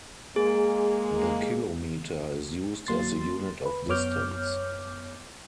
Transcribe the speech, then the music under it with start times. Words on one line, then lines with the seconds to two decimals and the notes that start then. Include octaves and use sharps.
The kilometer is used as the unit of distance.
0.36 G#3 A#3 G#4
2.87 F#3 A#3 C6 A6
3.66 B4
3.88 F#2 B3 C#5 D6 F6 G6